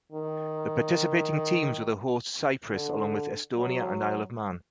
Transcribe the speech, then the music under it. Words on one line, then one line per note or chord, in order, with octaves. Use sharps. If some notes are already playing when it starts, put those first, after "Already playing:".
The participating teams were the hosts Cyprus along with Estonia and Isle of Man.
D#3
D3
F#3